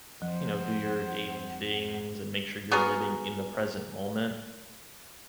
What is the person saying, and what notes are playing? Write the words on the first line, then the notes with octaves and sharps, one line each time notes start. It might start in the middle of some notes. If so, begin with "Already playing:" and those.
you know, do your daily things and make sure you're living in the present moment,
F2 F3 C5 F#5
B3 F#4 G#4 A#4